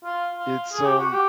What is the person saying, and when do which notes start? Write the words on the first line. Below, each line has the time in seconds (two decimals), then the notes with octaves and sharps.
it's, um,
0.04 F4
0.38 F4
0.73 G#4
0.85 G4
0.99 F#4
1.12 G4